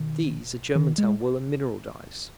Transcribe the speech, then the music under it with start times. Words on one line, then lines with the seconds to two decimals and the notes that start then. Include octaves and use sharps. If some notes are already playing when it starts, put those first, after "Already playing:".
These are Germantown wool and mineral dyes.'
Already playing: B2 D#3
0.75 D#3
0.98 G#3